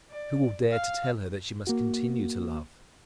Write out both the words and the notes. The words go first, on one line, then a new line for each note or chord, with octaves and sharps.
Who will dare to tell her that she must continue to love?
D5
F5
A#3 F#4